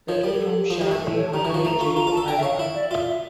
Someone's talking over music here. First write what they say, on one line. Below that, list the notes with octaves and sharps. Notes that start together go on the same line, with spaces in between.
The two towns share the Underhill-Jericho Fire Department.
F3 C#5
G3 A#4
G4
A4
G4
F3
G3
A3
A4
C#5
A5
G3 A#5
E3 C#6
F3
A3 A#5
F4 C#6
F4 A#5
F4 A5
A4
A5
A#4 G5
E5
C#5 F5
E4 E5
D5
F4 E5
E5